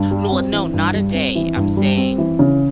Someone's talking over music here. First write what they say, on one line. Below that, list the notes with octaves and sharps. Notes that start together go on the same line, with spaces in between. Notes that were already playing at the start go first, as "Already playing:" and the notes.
No a no not a day, I'm saying
Already playing: G2
G3
C4
E3
G2
G3
C4
E3
G2
G3
C4
E3
C#3